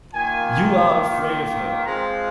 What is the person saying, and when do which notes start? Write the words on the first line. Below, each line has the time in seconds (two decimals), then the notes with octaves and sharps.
You are afraid of her!
0.14 D#3 A#3 F4 G#5
1.85 F3 G#3 C4 F4 A#5